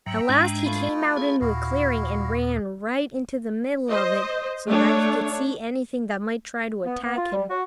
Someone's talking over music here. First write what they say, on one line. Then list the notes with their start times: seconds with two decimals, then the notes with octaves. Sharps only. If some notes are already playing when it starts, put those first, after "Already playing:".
At last he came out into a clearing and ran right into the middle of it so that he could see anything that might try to attack him.
0.06 G#2 F#3 E5 G5 A#5
0.29 G#2 G#3 D4
0.65 A3 E4 F4
1.17 G#4
1.41 D#2 A#2 E4 F#4 F5
3.90 C5 D#5
4.67 A3 D4 C#5
6.86 B3
7.04 B3
7.16 F4
7.33 G3
7.50 F#4